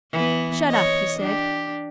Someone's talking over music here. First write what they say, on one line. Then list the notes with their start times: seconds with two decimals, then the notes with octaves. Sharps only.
"Shut up," he said.
0.12 E3 B3
0.68 C#5 D#5
1.19 D4 G4